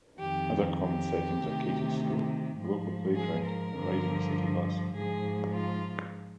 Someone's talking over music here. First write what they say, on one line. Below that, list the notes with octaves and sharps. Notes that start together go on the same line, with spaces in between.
Other common settings are Katie's school, the local playground, and riding the city bus.
F2 D#3 G4
G4
D2 C3 D#3
G#2 F3
G#4
A#4
G2 D3 F3
G#2 F3 G#4
F4